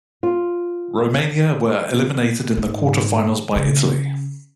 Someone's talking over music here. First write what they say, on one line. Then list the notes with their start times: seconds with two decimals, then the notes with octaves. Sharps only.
Romania were eliminated in the quarter-finals by Italy.
0.23 F4
2.57 G#2
3.56 C#3